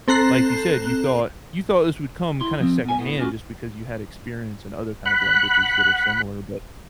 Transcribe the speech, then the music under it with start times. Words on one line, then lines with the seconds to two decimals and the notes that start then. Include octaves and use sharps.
like you said, you thought you thought this would come kinda secondhand just because you had experience in other kind of languages that are similar, but
0.08 C4 A4 A#5 F#6 C7
2.41 E4 C6
2.60 F3 C4
2.85 B2 G#5
2.99 A2 B3
3.19 C#4 D4 F4 F#4
5.05 F#5 B5 F#6